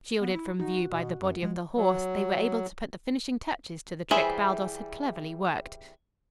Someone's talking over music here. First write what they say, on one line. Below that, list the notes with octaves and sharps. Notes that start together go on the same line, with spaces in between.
Shielded from view by the body of the horse, they were able to put the finishing touches to the trick Baldos had cleverly worked.
B3
E4
D#4 F#4
B2
F#2
F3 G#3
F#3
E3 G3 G#4 C5 E5